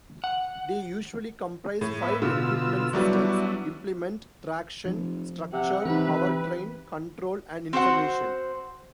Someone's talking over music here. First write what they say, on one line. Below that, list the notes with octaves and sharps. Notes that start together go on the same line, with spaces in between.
They usually comprise five equipment systems: implement, traction, structure, power train, control and information.
F#5
A2
B3 B4 E5
B2 D3 F4 E6
F#3 G3 B3 D4 E4 F#4
F1 F3
C3 F#5
C3 E3 C4 D#4 B4
C4 F#4 C5 F#5